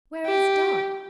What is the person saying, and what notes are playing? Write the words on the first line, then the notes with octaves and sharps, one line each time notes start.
"Where is Dot?"
G4